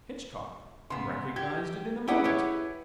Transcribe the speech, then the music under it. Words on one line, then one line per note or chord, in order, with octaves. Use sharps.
Hitchcock recognized it in a moment.
C#3 B3 C6
G4 G#6
C#4 E4 G4 G#4 B4 F#5
G4 C#5